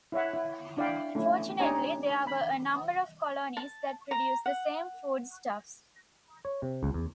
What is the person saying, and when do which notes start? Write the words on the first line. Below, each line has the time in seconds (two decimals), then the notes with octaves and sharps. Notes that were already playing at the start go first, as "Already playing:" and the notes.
Unfortunately, there were a number of colonies that produced the same foodstuffs.
0.12 E4 C#5 E5 F#5
0.34 E4
0.77 D4 E4 D5 E5 F5 G5
1.15 A3 C#4 E4
1.60 D4 D#4 G4 C#5 G#5 A#5
2.27 B5
3.57 A5
4.11 A#5
4.46 F#5
6.45 C#5
6.62 C3
6.83 C#2
6.94 E2